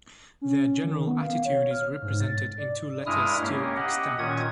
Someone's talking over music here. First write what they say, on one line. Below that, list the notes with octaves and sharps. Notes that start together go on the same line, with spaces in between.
Their general attitude is represented in two letters still extant.
C#4
D#3
B3
F5
C#5
F6
G#2
A6
D5
G2 G#3 E4 D#6 F6
A#3 C#4 G4
G4 D#5 F#5
A#2 D#3 C#4 D#6 G#6